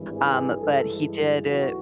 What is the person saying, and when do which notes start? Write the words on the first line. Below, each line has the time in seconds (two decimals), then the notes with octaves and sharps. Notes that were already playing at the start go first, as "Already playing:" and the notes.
um, but he did, uh,
Already playing: G#1 G2 E3 G#3
0.16 G#4
0.60 G2 E3 G#3 A4
1.48 B1 A2 E3 F#4